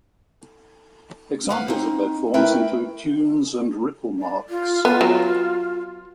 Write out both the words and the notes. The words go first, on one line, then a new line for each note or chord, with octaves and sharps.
Examples of bed forms include dunes and ripple marks.
B4 F5 F#5
C4 D#4
A3 E4 A#4 B4 E5 G5
D5
F4
B3 F4
F#3